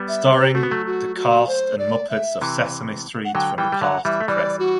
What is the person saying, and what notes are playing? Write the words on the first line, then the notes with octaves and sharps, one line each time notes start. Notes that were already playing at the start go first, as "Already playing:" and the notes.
Starring the cast and Muppets of "Sesame Street" from the past and present.
Already playing: G3 B3
E5
G4
A3 F#4
B3
F#3 A3
F#4
F#4
C5
D5
E5
C3 E3
F#5
D3 F#3 G5
E3 G3 G5
G3
D3 F#3 F#5
E3 G3 E5
A3
E3 G3 D5
F#4